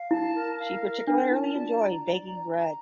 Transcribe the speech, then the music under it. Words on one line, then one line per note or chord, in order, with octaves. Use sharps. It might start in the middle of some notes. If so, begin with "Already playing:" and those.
She particularly enjoyed baking bread.
Already playing: F5
E4 A5
A#4
F5
A#4
D4 A#4
E4 A5
F4 D5
A#5
D5
A#5
A#5